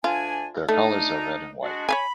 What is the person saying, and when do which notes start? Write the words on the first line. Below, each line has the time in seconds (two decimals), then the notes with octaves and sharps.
Their colors are red and white.
0.04 D2 D4 F4 G#5
0.69 A3 D4 D#4
1.62 G#3 D4 F#4
1.89 C#5 F5 G#5 B5